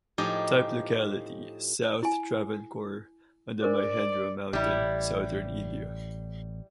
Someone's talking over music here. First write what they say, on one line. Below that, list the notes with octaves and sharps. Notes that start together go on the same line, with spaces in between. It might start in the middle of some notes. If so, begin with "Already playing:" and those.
Type locality: "South Travancore, on the Myhendra Mountain", southern India.
A2 F3 D#4 G4 G#4
E4 G#5
D4 A#4 C5 D5
A1 G3 E4